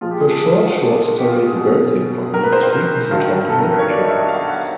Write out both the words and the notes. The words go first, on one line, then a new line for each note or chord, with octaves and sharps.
Her short short story "The Birthday Party" is frequently taught in literature classes.
A#2 F3 G#3 F4
G4
G#4
A4
F4
F4
F#4
G4
F4
G4
G#4
B2 F#3
A#4
B4
C5
C5
A#4
G2 D#3 F#3
A4
A#4
B4
C#5
D5
D#5
E5
D#5
F5
F#5
F#5
F5